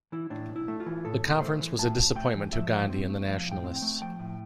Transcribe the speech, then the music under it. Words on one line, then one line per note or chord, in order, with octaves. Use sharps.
The conference was a disappointment to Gandhi and the nationalists.
E3 E4
A2 D4
B1
E4
A3
F4
E3
A2 A4
B1
A3 C5
E3
A2 A5
B1
A3 G5
E3
F3 E5
A2
C4
A3
F3 F5
A2
G5
C4
G5
A3
F3 G5
A2